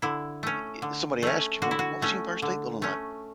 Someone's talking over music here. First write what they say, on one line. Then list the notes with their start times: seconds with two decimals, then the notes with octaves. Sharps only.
e e eh, somebody asks you, "Well, what was the Empire State Building like?"
0.02 D3 E4
0.43 A3 C#4
0.82 D3
1.23 A3 C#4
1.62 D3 F#4
1.71 E4
1.79 F#4
2.02 A3 C#4
2.42 D3
2.82 A3 C#4